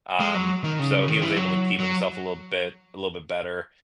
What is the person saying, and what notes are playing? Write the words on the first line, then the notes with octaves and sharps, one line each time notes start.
um, so he was able to keep himself a little bit a little bit better,
G#3
F#3
D#3
C#3
D#3
E3
F#3
F#3